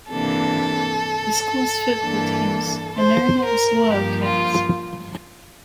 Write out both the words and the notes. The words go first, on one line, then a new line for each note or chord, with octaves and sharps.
The school's football teams are known as the "Wildcats".
C3 E3 A#3 D4 A4
G2 E3 A#3 D4
C5
A#4
G2 F3 A#3 G4
F4